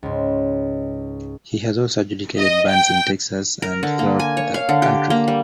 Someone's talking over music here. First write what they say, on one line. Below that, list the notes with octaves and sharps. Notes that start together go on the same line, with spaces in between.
He has also adjudicated bands in Texas and throughout the country.
C#2 G#2
D#5
G5
A#4
D3
A#3
G#5
C#5
F5
D3
G4
A#3
G3